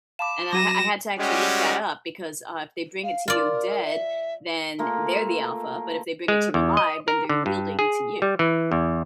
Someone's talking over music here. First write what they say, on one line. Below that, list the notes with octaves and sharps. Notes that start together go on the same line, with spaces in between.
And then I I had to actually look that up because, uh, if they bring it to you dead, then they're the alpha. But if they bring it to you alive, then they're yielding to you.
F5 A5 B5 D6 E7
F#3 F#4 D6 A#6 D#7 E7
G3 G#3 C#4 F#4 G4
F5
F4 A#4 D5
E5
A3 A#3 F4 G#4
G#3
E2
D#5
A#4
D3
G2
G#4
G3
E3
E2